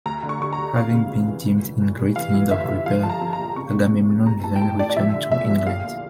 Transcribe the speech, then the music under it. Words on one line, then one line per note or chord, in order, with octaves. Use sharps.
Having been deemed in great need of repair, "Agamemnon" then returned to England.
D2 A#5
D3
C#6
D3 C#6
A#5
D2
F2 F5
C#3
E3
E3
D2
D2
D2
G3
E3 F5
E3
G1 E5
G1
F3 F5
F3 A5
A#5
F3
A#5
A#1
C#3 C#6
E2
C#3
E2
A1 A#5
A2 A5
G5
A1 A5
A1 D5
D5
F3 E5
D3
E2 E5
F3
A#1 F5
A#1